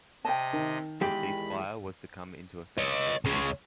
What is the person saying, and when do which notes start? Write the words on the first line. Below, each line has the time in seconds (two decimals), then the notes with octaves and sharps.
The cease-fire was to come into effect at noon.
0.25 C3 D#5 G5 A5
0.53 D#3
1.01 E2 G#3 G4 B5
2.78 C#5 D#5
3.25 C#2 C#3